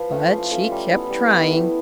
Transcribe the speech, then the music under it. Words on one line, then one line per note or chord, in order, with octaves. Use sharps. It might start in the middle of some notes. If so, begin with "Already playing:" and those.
But she kept trying.
Already playing: F3 B4
A3 C#4 F4
F3
A3 C#4 F4
G3
B3 E4
G3
B3 E4
A3